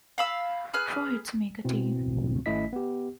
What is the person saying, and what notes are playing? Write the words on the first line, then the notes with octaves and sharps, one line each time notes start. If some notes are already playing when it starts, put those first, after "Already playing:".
Four hits make a team.
F5 B5 E6
G#4 B4 F6 F#6
B2 C4 E4
G#1 A3 C#4 E4 D#5 B6
B3 G4